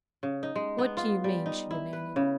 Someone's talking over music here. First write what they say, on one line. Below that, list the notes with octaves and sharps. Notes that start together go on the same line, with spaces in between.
"What do you mean?" she demanded.
C#3
D#4
G#3
B3
F4
G3
D#4
E4
B4
C#3